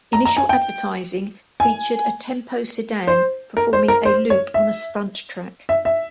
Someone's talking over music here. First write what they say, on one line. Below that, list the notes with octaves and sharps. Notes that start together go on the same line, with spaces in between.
Initial advertising featured a Tempo sedan performing a loop on a stunt track.
A#5
A#5
G#5
G5
G#5
C5
A#4
C5
A#4
C5
C#5
E5
E5
E5